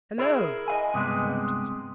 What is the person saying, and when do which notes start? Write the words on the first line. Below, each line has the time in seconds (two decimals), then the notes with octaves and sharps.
"Hello!" he prompted.
0.18 E4 G#4 A#4
0.68 D#5 F5 G#5
0.94 G2 C3 G#3 B3